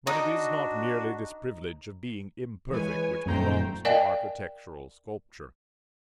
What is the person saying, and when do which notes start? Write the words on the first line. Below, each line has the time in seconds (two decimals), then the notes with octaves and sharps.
But it is not merely this privilege of being imperfect which belongs to architectural sculpture.
0.07 D4 D#4 F#4
2.71 E3 G#3 B4 C#5 G#5
3.26 D#1 F#2 A#2 A3 C5 G5 A#5
3.85 A#4 D5 D#5 F5 G5 G#5